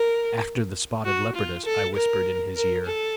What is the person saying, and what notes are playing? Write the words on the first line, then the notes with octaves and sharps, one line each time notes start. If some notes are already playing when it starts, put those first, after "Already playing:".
"After the spotted leopardess!" I whispered in his ear.
Already playing: A#4
F#4
F4
A4
A#4
A#4
A4